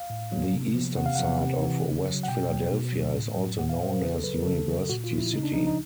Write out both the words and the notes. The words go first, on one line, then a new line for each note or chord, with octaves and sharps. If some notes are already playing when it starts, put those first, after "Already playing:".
The eastern side of West Philadelphia is also known as University City.
Already playing: F5
A2
F#3
C3
F3
C3 F#5
F5
F3 F#5
C3
E3
C#3
F#3
F#5
B2 G5
F#3
B2
F#3
A2
F#3
A#2 F#5
F5
F#3 C5
A#4
C#3 G#4
A4
F#3 B4
A#4
C#3 A4
F#3
A#2 F#4
F4
F3
E4
C#3 D#4
D4
F3 D#4
D#4